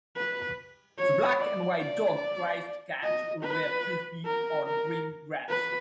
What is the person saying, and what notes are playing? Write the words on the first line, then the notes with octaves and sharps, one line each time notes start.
The black and white dog tries to catch a red Frisbee on green grass.
B4
C#5
D5
D5
D#5
B4
A#4
A#4
B4